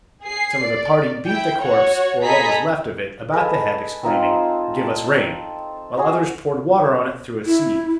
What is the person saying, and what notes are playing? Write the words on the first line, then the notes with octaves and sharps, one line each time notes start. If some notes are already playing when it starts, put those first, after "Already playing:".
Some of the party beat the corpse, or what was left of it, about the head, exclaiming, "Give us rain!" while others poured water on it through a sieve.
G#4 C7
D5
E4 G5
F#4 C#5
G#4 A4 D#5 A#5 B5 B6
G#4 A4 B4 D#5
C4 D#4 F4 C5
A5
F#4 G#4
E4